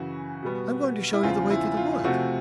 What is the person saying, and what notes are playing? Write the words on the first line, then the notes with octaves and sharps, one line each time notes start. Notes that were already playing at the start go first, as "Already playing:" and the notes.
I'm going to show you the way through the woods.
Already playing: F#2 C#3 E3 F#4
B2 G3 B3
E4
E2 C#3 F3 F4
E4
F4
C3 F3 A3 F#4